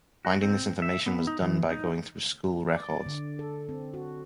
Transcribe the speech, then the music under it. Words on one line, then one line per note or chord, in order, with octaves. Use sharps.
Finding this information was done by going through school records.
F#4
C4
E5
B3
D#4
E3
D#4
D5
D3
A4
C4
F#4